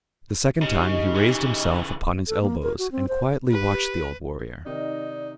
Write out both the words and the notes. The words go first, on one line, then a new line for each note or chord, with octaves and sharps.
The second time he raised himself upon his elbows and quietly watched the old warrior.
C#3 D#4 G4 D#5
C#3 E3
A4
A#3
A#4
F#4
C4
C5
G4 B4
C3 D#3 D#4 D5 D#5